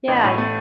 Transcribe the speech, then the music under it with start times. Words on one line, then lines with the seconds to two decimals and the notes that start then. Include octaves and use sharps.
Yeah, y
0.08 A1
0.24 A2
0.38 A3